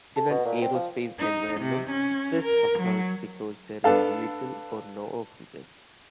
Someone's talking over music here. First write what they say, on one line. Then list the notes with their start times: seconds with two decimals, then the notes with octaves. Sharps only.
In an aerospace environment, this occurs because there is little or no oxygen.
0.16 A4
0.30 B2
0.45 A#2
0.62 C4
0.74 F3
1.19 D#4
1.61 C3
1.91 C#4
2.43 A#4
2.80 F#3
3.84 B3 D4 A4 F5